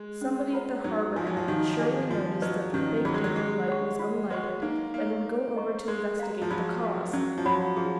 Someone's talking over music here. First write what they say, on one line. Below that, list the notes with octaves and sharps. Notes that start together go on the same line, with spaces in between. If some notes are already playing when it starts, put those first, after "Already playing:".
Somebody at the Harbour Head would surely notice that the Big Dipper light was unlighted and would go over to investigate the cause.
Already playing: G#3
C#4
F4 B4 F#5 A#5
F#3 D#4
F3 A#4 F5 G#5
F#3
F3
D#3 D#4
G#4 D#5 G#5
F3 F#4
F#3 B4 D#5
D#3 C#4
F#3 F4 G#4
G#3
F#3
G#3 G#4
C#5 F#5 C#6
F4
G#3 B4 D#5 F#5 C#6
A#3 D#4
A#3 A#4 C#5
A#4
D#5 A#5 C#6
G#3 A#4
F5 A#5
F3
F#3 F4
A#4 F5
F#3 C#4
F3
F#3 F#4 C#5 F#5 B5
F3 G#4